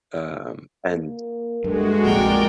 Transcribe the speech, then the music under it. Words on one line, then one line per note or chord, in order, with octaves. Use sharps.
Um, and
A#3
G2 G#3 A3 F#4
A#1 F2 A#2 A#4 D5 G5